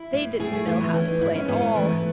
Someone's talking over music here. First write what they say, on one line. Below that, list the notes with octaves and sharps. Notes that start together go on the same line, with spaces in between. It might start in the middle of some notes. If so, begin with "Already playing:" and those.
They didn't know how to play at all.
Already playing: E4
A2
A2 G#4
A3
E3 A3
B3
E3 C#4
D#4
G#2 E4
C#4
G#2 B3
B3
E3 A3
B3